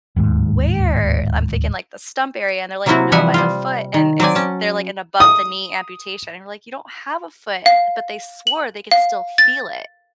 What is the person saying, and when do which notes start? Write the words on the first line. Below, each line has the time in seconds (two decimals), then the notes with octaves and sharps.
"Where?" I'm thinking, like, the stump area, and they're like, "No, by the foot." And it's they're like an above-the-knee amputation and we're like, "You don't have a foot," but they swore they could still feel it.
0.16 D1 D#2 G#2
2.86 C3 F#3 A#3 C4 E4 F#4
3.12 E3 F3 G3 E5 F#5 G#5
3.34 G3 C4 F4
3.94 D#3
4.20 F#3 C4 D5 G#5
4.35 C#4 A5
5.20 D#6
7.66 F5
8.47 F#7
8.91 F5
9.38 A6